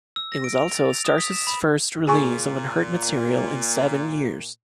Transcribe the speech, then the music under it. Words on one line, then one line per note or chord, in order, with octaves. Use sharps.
It was also Starr's first release of unheard material in seven years.
E6
A#6
D7
F7
A6
F7
D#6
B6
E7
B5
A#2 G#4 G#5 C#6